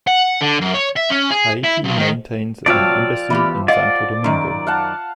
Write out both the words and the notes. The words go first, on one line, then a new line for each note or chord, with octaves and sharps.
Haiti maintains an embassy in Santo Domingo.
F#5
D3
F#2
C#5
E5
C#4
G#4
E4
B1
D#3
C3 F3 F#3 C#5 D5 F5 G5 E6
E3 B3 G4
D5 D#5 F5 F#5
F#2 D#3
F5 F#5 A5